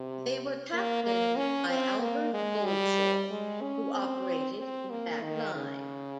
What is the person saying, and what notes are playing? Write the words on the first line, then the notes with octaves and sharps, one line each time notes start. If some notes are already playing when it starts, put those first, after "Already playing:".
They were captained by Albert Goldthorpe, who operated in the back line.
Already playing: C3
A#3
A#3
C#4
C4
A#3
G#3
G3
G#3
C#4
C4
C4
A#3
D#3
C#3